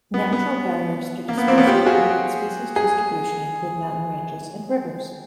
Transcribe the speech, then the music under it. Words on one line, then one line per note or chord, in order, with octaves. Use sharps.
Natural barriers to dispersal that limit species distribution include mountain ranges and rivers.
B3
B3
A#3
B3
A#3 C4
B3 C#4
F4 G4
F#4 G#4
G#4